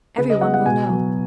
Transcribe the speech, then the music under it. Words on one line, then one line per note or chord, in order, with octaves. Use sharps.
Every one will know.
C#3 B4
D#5
G#3 B3 F#5
F#5
B2 G#5
F#3 B3